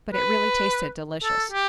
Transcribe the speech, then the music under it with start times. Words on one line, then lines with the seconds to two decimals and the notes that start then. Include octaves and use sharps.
But it really tasted delicious.
0.13 B4
1.24 A4
1.52 G4